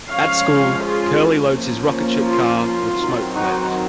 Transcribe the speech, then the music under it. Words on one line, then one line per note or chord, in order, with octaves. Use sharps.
At school, Curley loads his "rocketship" car with smoke flares.
F3 G#3 C#4 C#5 F5
F4 G#4
F3 A#3 C#4
F4
F4
D#3 F#3 C4
D#4 F#4